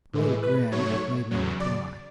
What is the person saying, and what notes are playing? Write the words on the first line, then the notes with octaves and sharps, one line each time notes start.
Ray grinned, but made no reply.
A2 E3 G#3
B4
G#2 F#3 A3 C#5
E2 C#3 F#3
D5